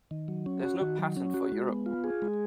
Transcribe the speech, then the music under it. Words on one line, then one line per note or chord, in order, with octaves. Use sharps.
There is no patent for Europe.
D#3
F#3
C#4
F#4
D#3
F#3
C#4
F#4
G#3
B3
F4
G#4
G#3